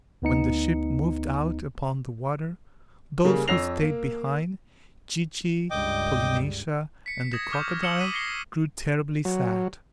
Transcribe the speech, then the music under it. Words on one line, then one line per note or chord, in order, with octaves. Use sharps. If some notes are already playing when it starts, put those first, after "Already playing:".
When the ship moved out upon the water, those who stayed behind, Chee-Chee, Polynesia and the crocodile, grew terribly sad.
D2 B3 D#4 C#7
C#3 G3 A#3
F2 C#5 E6 A#6 C7 F7
A#3
C#2 G2 G3 D#5 G5 D6
B6 C#7
D#6 G#6 A#6 E7
C#6 D6 F6 G6
D#6 E6 C#7 E7 F#7 G7
C#6 D#6 B6 D#7
A#6 C7 C#7 G7
F#3